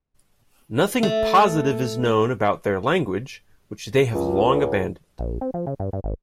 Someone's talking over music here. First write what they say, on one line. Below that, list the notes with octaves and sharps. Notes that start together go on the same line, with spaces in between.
Nothing positive is known about their language, which they have long abandoned.
A3
C#2
A#1
C4
F3
C#3
G2
G2
G#1